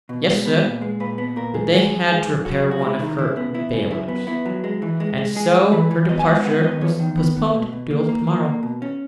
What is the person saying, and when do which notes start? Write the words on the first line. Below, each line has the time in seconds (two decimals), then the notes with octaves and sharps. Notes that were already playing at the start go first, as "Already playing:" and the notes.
"Yes, sir; but they had to repair one of her boilers, and so her departure was postponed till to-morrow."
0.09 B2
0.27 G#3
0.46 B3
0.64 A#2
0.82 G#3
1.00 A#2 B4
1.18 B3
1.36 A#2 A#4
1.54 G#3
1.73 G#3 G#4
1.91 F#2
2.09 G#3 G#4
2.27 F#2
2.45 F#2 F#4
2.64 F#2
2.71 F#4
2.82 G#3 E4
3.00 D#3
3.18 C#3 E4
3.37 B3
3.54 B3 E4
3.73 C#3
3.91 F#2 E4
4.08 B3
4.27 B3 E4
4.46 F#3
4.64 G#3
4.82 E3
5.00 G#3
5.18 G#3
5.36 G#3 G#4
5.55 F#2
5.72 E3 B4
5.91 E3
6.09 B3 D#5
6.19 G#5
6.26 G#3 F#5
6.45 B3 F#5
6.63 D#3 D#5
6.81 E2 C#5
7.00 D#3
7.18 B3
7.37 B3
7.55 B2
7.73 B2
7.91 A#3
8.09 A#3
8.27 A#3
8.45 A#3
8.63 B2
8.82 C#4